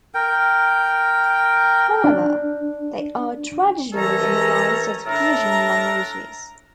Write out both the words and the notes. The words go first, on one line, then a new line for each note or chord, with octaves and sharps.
However, they are traditionally analyzed as fusional languages.
A#4 G5
D4
C2 E3 C#4 A4 A#5
A2 D4 A4 A#4 A#5